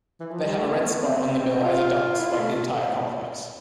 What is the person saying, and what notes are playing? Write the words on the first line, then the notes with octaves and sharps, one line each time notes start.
They have a red spot on the bill as adults, like the entire complex.
E3
F3
G3
A3
B3
A3
B3
C4
B3
C4
F4
E4
F4
A3